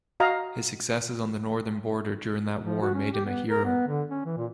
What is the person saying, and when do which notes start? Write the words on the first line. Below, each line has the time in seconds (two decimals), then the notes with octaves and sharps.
His successes on the northern border during that war made him a hero.
0.20 F#4 D#5 F5 A#5
2.64 F3
2.82 F#4
2.95 C#4
3.13 G4
3.26 B3
3.50 A#4
3.65 B3
3.88 D3
4.11 C#4
4.25 E3
4.37 A#2